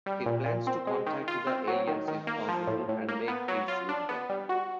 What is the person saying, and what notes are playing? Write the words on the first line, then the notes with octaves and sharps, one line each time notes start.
He plans to contact the aliens if possible and make peace with them.
G3
A#2
A#2
C4
G#3
D#3
F4
C4
F#3
D#3
D#3
A#3
F3
A2
A2
A#3
B3
F#3
F4
D4
B3
G3
F#4